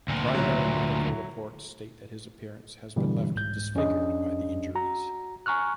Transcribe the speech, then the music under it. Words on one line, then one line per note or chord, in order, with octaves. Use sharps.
Primary medical reports state that his appearance has been left disfigured by the injuries.
D2 A#2
F#3 E4
G2 B2 D3 E3 G3
C2 G#2 G6
F2 C#4 D4 G#4 D#5
F#4 A#5
G#5 A#5 C#6 F6 F#6